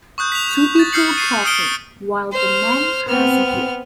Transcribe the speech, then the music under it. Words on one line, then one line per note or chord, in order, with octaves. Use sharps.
Two people talking, while the man has a beer.
C#6 D#6 F#6 G6
B6 F7
C#6 A6
D#6 F6 G6 C7 C#7 F#7
C#6 C7 D#7
D#6 F6 C#7 D7 G7
C5 F6
B3 C4 F6